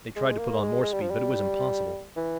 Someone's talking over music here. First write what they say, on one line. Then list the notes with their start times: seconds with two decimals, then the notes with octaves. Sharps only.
They tried to put on more speed, but it was impossible.
0.16 G#3
0.39 A#3
0.61 G#3
0.83 G#3
0.93 G3
1.02 F3
1.10 G3
2.16 E3